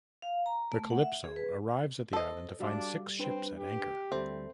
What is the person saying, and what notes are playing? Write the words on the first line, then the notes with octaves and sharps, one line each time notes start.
The "Calypso" arrives at the island to find six ships at anchor.
F5
A#5
A3
F#5
E5
G#4
B4
A4 C5 D#5 C6
G3 D4 F#4 E5 F5 C6 D6
C4 D4 B4
G4
D2 G3 C4 A4 E5